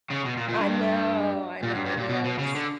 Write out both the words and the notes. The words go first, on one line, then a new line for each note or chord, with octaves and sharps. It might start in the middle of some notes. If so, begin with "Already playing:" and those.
I know, I know it is.
C#3
B2
A#2
A#2
G2
A#2
G2
G2
A#2
B2
B2
C#3
D3